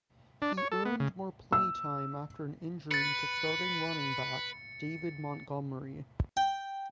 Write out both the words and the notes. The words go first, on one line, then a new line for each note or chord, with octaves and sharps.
He earned more playtime after an injury to starting running back David Montgomery.
D4
C#5
A4
B3
C#3
E6
B4 A6 C#7
G5